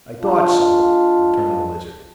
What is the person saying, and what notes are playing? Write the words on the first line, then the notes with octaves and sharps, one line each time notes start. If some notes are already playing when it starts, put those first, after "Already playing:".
"I thought so," returned the Lizard.
G#3 D4 F4